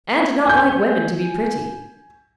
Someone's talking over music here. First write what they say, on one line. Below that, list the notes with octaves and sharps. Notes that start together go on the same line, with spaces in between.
Anne did not like women to be pretty.
G#5 G6